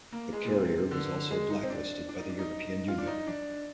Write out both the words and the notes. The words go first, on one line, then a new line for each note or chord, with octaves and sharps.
The carrier was also blacklisted by the European Union.
A#3
G#3
A#2
C3
D3
G#3
D#4
C4
D4
D4
D#4
D4
D#4
F4
D4
D#4
D4